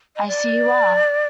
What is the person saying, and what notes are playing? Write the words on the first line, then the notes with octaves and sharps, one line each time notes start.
I see you are.
D#5
D5